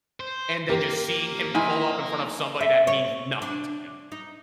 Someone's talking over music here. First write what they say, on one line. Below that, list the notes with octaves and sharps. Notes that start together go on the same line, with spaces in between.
and then just seeing him pull up in front of somebody that means nothing to him.
C5
A#3 G4 A#4
F3 D#4 E4 G#5 D#7
E5
C#5
D4
D#4